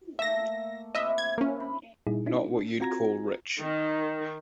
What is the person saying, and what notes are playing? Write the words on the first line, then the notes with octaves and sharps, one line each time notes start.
Not what you'd call rich.
A3 A#3 A4 E5 A#6
C3 E4 D#5 E5
G#6
A#3 C#4
B5
A#2 G3 D#4 E4 G#4
C#4 D#4 E4
C4 F4 F#4 A#5 G#6 A#6
D#3